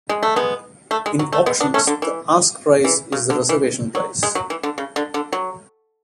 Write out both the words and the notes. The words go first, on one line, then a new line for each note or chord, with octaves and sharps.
In auctions the ask price is the reservation price.
G#3
A3
G#3 B3
A3
G#3
F#3
A3
G#3 B3
B3 D4
A3 C#4
D3
E3
E3
C#3
D3
E3
F#3
G#3
F#3
E3
D3
C#3
D3
D3
F#3